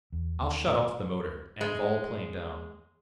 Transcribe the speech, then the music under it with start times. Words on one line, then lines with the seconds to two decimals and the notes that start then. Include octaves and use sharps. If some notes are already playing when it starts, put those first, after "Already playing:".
"I'll shut off the motor, and vol-plane down."
0.12 E2
0.41 D#2
0.67 A2
1.61 G#3